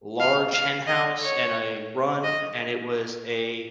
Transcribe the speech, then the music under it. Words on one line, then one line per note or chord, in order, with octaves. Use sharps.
large hen house and a run, and it was a
F5
F5
D#5
C#5
D#5